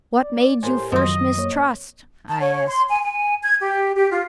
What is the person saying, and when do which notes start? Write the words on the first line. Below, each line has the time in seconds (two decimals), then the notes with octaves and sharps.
"What made you first mistrust?" I asked.
0.20 D5
0.63 A2 G4 A#4 C5 G#5
0.92 F#2 D#3 F3 F#3 C4 D#5
1.38 A#3 C#5
2.28 A5
2.41 C#5
2.67 C6
2.90 G#5
3.05 G#5
3.44 G#6
3.61 G4
3.95 G4
4.11 F4